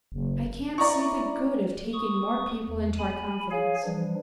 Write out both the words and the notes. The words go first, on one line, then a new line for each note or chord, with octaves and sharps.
"I can't see the good of taking more people into our confidence."
F#1
E4 D5 A#5 C#6
C#6 D#6
E2
G#5 B5
G#4 C#5 F5 G#5
E3 F3 G3 D4